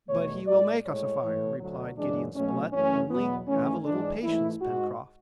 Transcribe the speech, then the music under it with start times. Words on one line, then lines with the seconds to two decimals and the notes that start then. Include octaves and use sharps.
"But he will make us a fire!" replied Gideon Spilett, "only have a little patience, Pencroft!"
0.09 E2 B2 A3 C#5
0.47 A2 G#3 D5
0.84 A2 G#3 C#5
1.22 A2 E3 A3
1.60 D2 D3 F#3
1.97 F#2 C#3 E3 G#3 D4
2.35 B2 F#3 A3 C#4
2.73 F#2 E3 A3 C#4
3.11 E2 B2 F#3 B3
3.48 G#2 E3 A3 C#4
3.86 G#2 E3 G#3 D4
4.23 G#2 E3 A3 E4
4.61 G#2 G#3 F#4